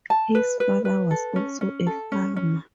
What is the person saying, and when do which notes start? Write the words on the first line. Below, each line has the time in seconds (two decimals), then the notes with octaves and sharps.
His father was also a farmer.
0.10 A5
0.35 B4
0.60 B4
0.85 B4
1.11 A4
1.36 C#4
1.61 C#4
1.87 A4
2.12 C#4
2.36 C#4